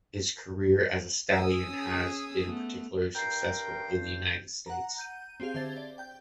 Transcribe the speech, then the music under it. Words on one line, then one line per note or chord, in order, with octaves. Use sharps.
His career as a stallion has been particularly successful in the United States.
B4 G#5 D#6 E6
C#4 G#4
A3 B3
G2 A#4 G5 G6 C7
F#5 A#5
G6 D#7
C4 G4 G#4 F5 F7
D3 C5 E5 G#6 A6 G7
D5
G5 G6